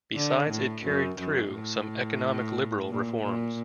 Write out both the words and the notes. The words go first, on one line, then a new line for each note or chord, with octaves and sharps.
Besides it carried through some economic liberal reforms.
D3
A2
F#2
F#2
A2
A#2
A#2